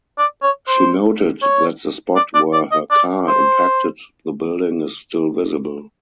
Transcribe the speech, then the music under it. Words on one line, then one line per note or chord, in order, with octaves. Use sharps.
She noted that the spot where her car impacted the building is still visible.
D5
C#5
C5
C#5
D5
D5
D5
D#5
D5
C5